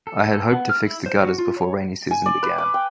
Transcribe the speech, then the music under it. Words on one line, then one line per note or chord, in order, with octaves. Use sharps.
I had hoped to fix the gutters before rainy season began.
A4
B3
F6
E4
C5
F#4
F4
C#5
G#5
D5
B4
D6
G5